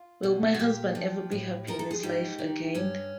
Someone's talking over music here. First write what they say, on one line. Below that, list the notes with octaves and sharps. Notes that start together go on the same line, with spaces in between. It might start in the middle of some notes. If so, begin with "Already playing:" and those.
Will my husband ever be happy in his life again?
Already playing: F4
B2
F#4
A#2 G4
F3
A2
F3 A#4
A4
G#4
G#2 G4
D#3
G2 C#4